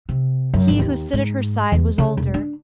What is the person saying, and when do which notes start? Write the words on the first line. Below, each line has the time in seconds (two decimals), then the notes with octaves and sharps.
He who stood at her side was older.
0.09 C3
0.54 F#2
0.68 G#1
0.79 D#2
1.13 G#2
1.72 E2
1.98 C#3
2.17 E1
2.34 D4